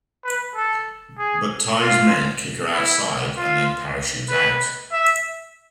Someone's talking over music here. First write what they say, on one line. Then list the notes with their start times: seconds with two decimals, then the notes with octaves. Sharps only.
But Ty's men kick her outside and then parachute out.
0.25 B4
0.56 A4
1.18 G#4
1.81 F4
2.74 E4
3.37 F4
4.30 B4
4.92 E5